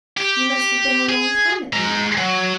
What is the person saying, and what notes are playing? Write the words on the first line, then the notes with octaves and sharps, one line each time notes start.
You must have been a long time at Munich.'
G4
G#4
G#3 A#5
F#3